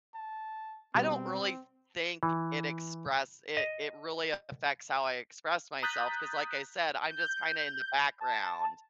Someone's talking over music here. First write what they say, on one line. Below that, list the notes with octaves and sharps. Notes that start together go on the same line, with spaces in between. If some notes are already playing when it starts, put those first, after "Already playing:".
I don't really think it express it it really affects how I express myself, 'cause like I said, I'm just kinda in the background,
A5
B2 G3 C4
E3
D#5
A#5 D#6 F#6 G6 A6 B6
G6
A5